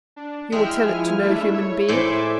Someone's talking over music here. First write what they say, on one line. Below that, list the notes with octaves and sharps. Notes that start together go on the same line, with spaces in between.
"You will tell it to no human being?"
D4
G#3 E4 E5 G5 F6
F3 G#5 F6
A3 D4 E5
C#5
A2 C5 D5 E5 G#5 D6